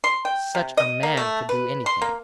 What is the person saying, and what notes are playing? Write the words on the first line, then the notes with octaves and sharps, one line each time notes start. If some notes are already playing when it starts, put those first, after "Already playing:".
Such a man could do anything.
C6
G5
C3
D#5
A#3
A3
B4
C6
A#3